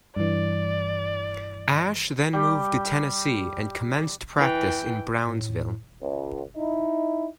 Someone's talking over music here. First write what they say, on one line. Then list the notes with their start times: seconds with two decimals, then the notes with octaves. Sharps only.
Ashe then moved to Tennessee and commenced practice in Brownsville.
0.16 G2 E3 D5
2.33 G3 G4
4.38 E3 G5
5.25 A2
6.01 C#2
6.56 D#4 E4